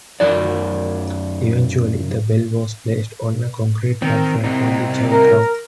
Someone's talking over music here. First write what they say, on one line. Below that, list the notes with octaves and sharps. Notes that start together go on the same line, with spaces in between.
Eventually the bell was placed on a concrete platform on the church grounds.
F#2 D#4 D5
D#3 C4 A#4
C2 C3 C4 D#4
A#4